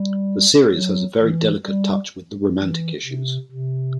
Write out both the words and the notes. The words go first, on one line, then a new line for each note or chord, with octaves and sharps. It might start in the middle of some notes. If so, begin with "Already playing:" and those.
The series has a very delicate touch with the romantic issues.
Already playing: G3
F#3
E3
G3
E3
C3
C3